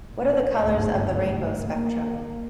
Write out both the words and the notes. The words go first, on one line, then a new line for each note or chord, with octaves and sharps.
What are the colours of the rainbow spectrum?
A#2
G1 D2 G#2 C#3
A#3